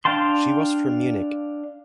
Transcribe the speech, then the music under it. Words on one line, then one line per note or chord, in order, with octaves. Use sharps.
She was from Munich.
D4 F5 G5 A5 C6